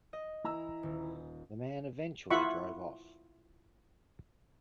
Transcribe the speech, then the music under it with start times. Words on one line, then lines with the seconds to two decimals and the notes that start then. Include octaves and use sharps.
The man eventually drove off.
0.13 D#5
0.44 E3 E4 A#5 E6
0.83 D#1
2.30 E4 F4 E5 F#5 B5 C#6